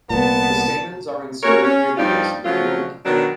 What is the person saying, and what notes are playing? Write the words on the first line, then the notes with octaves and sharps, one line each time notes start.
The stamens are inserted near the base of the corolla.
C2 A#2 B3 A5
C#4 F#4 A#4 C#5
C#4
G2 F3 G3 D4 D#4 F4
C#3 F3 F#3 A3 F4
B2 D#3 F#3 D4